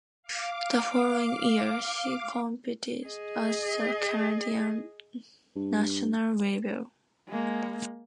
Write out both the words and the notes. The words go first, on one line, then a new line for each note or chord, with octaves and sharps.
The following year, she competed at the Canadian national level.
F5 D6
G#4 D#5
G2
G#3 A#3